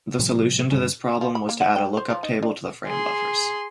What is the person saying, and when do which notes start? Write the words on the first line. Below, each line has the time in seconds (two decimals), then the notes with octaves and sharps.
The solution to this problem was to add a lookup table to the framebuffers.
0.19 A2 C3 F3 G3
0.71 G2 D3 G3 C#4
1.21 F3
1.35 B5
1.49 A#3
1.61 F#5
1.76 G5
1.97 C5
2.10 F3
2.23 D#4
2.43 D4
2.87 G#4 C6